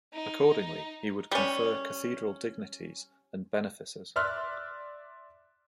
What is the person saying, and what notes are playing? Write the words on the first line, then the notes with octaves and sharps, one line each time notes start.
Accordingly, he would confer cathedral dignities and benefices.
D#4
G3 C#4
D5 E5 C6 F6 F#6